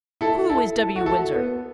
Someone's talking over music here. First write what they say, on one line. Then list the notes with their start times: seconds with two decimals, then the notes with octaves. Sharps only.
Who is W. Windsor?
0.21 E4 A4
0.49 E4 A4
0.78 E4 A4
0.96 F#4
1.06 E4 A4
1.34 B3